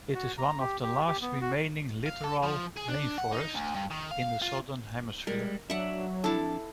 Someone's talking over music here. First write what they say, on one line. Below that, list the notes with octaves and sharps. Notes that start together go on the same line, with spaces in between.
It is one of the last remaining littoral rainforests in the Southern Hemisphere.
F#4
A#5
G4
G4
G4
B3
F#4
F5
A4
F3
G#4
D4
F#5
D#4
D2
G2
D#3
F5
F4
G3 G#3 A#4
F#3 D4 E5 F#5
F2 D4 E4 A4 A5